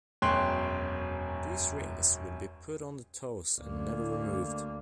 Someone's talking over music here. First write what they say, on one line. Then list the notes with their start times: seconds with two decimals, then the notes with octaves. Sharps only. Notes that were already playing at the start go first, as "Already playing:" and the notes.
These rings would be put on the toes and never removed.
0.22 E1 F#2 C#5 G5 C6 F#6
3.61 D2 A#3